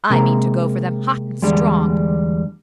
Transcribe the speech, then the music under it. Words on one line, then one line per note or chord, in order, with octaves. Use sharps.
I mean to go for them hot and strong.
C3 G#3 A#3 C4 A#4
E2 D3 G3 G#3